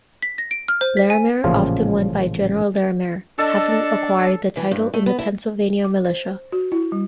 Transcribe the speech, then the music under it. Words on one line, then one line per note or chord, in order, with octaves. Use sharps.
Larimer often went by "General Larimer", having acquired the title in the Pennsylvania Militia.
B6
A#6
D7
F6
C5
B6
G#5
A1 A#2 C#3 F3 F4
D4 A4 D#5
E3
G2
A3
B3
E4
D6
C5
F#4
E4
G3